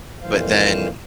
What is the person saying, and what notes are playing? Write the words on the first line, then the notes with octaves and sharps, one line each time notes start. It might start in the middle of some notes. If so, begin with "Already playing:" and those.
but then
F2 A#2 E3 C5 F5